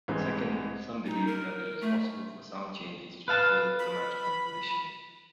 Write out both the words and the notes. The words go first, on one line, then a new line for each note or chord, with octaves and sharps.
Second, some believe that it is possible for sound changes to observe grammatical conditioning.
C2 G#2 E3 G#3 C4
D#4
A#4
A3
B4 F5 A5
B5